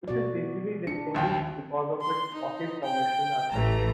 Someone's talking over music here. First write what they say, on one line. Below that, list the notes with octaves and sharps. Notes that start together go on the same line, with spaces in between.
It is easily distinguished because of its rocky formation at the top.
B2 F#4 D5
D4 C#7
A#1 D#2 G5
C6
D#4
G5
A1 E3 A3 A#5